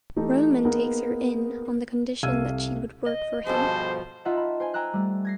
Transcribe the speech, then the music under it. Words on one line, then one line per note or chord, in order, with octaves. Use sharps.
Roman takes her in on the condition that she would work for him.
E3 A3 D#4 G4 A4
A#3 B3 D#4 G#4 A#4
C2 A4 F5 E6 G#6 D#7
D#5
G2 B2 F3 G#4 A4 C5
D#4 F4 D#5 E5 F#5 A5
B5
C5 G5 G#5
G5 G#5 A#5 E6 F#6
G3 A3
G#6 A#6 C7